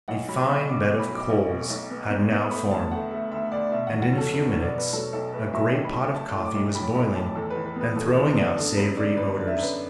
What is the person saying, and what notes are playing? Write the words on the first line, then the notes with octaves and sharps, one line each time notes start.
A fine bed of coals had now formed, and in a few minutes a great pot of coffee was boiling and throwing out savory odors.
B1 F#5
F#3 B5
B2 B5
B2 D6
D6
B2
B5
F#3
D6
B1
B2
B1
B3
B3
B3
A3 B5
D2 A5
A3 F#5
A3 E5
D2 E5
D2 D5
B2 E5
E2 F#5
F#5
F#3
A4
B2 A4
B4
B2
D5
B2 B4
F#3 A4
B1 A4
A3 B4
F#3 E5
A2
B5
F#3
A3 A5
A2
D6
B1
A2 B5
B1 B5
A2 A5
E2 A4
B4
E2
B4
B3
B4
E2 A4
E2 B4
B3 D5
D3 A4
F#2 B4
D3 D5
F#2 B4
D5
D3
E5
F#2 B4